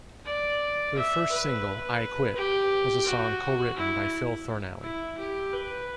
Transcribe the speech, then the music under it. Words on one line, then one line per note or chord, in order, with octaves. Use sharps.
Their first single, "I Quit", was a song co-written by Phil Thornalley.
D5
E5
B4
G4
F#4
E4
E4
G4
B4